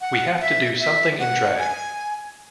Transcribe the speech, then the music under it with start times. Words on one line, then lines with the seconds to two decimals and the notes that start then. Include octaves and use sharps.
We have to do something in drag.
0.01 F#5
0.41 E5
0.80 E5
1.20 F#5
1.59 G#5